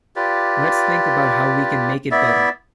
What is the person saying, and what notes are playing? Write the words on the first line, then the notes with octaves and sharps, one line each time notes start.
Let's think about how we can make it better.
F4 G4 B4 D5
B3 E4 D5 E5